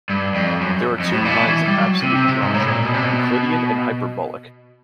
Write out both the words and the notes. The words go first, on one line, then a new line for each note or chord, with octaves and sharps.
There are two kinds of absolute geometry, Euclidean and hyperbolic.
G2
F2
F#2
F2
A2
A#2
B2
E3
G3
F#3
C3
C3
C3
G#2
A2
A#2
B2
C3
B2